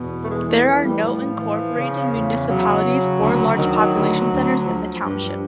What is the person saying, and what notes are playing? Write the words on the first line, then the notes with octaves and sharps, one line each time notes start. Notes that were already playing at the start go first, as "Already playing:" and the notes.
There are no incorporated municipalities or large population centers in the township.
Already playing: E2 B2
A3
E3 G#3
A3
E3 F3
G3
A2 F3
E3
C#3
E2
C#3 F#3
C#3
D2
D#3
D2
D2
F3
G2